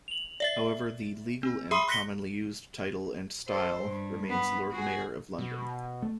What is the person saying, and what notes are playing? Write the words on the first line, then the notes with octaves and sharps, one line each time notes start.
However, the legal and commonly-used title and style remains Lord Mayor of London.
F7 F#7
D5 E5 A6
C4
G#4 E5 B5 C6 D#6
C6 F#6 A#6 B6 C#7 G7
A4 C5
G2
B3
F#4 G#4
B2
A3